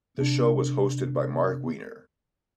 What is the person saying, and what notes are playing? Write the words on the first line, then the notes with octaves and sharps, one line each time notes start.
The show was hosted by Marc Weiner.
C3 D4